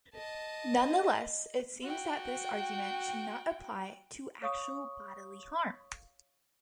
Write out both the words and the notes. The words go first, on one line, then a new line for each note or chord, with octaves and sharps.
Nonetheless, it seems that this argument should not apply to actual bodily harm.
D#5 A5
F#4 G5
C#5 F5 C#6 D#6